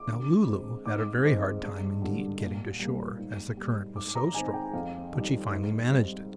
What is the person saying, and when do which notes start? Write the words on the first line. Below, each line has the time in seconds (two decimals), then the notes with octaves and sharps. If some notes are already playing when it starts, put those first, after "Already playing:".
Now Lulu had a very hard time, indeed, getting to shore, as the current was so strong, but she finally managed it.
Already playing: D6
0.08 D3
0.47 G#3 C4
0.86 G#2 D6
1.24 D#3 G#3 C4
1.63 G2
2.02 D3 G3
2.40 A#2
2.80 G3 A#3
3.18 G#2
3.57 G3 A#3
3.96 G#2 D6
4.15 A#5
4.34 D#3 G#3 C4 G#5
4.54 G5
4.73 F2 F5
5.12 D#3 G3
5.51 G#2
5.89 G3 C4